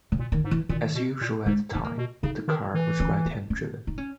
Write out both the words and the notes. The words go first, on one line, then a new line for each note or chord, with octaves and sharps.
As usual at the time, the car was right-hand driven.
C#3
A#2
D#3
G#2
E3
A#2 D#3
B2
A#2
G#2 G#3
G#2
B3
A#3
B2
C#3 D#4
D#3
E3
C#4
B3
C#4
D#4
C#4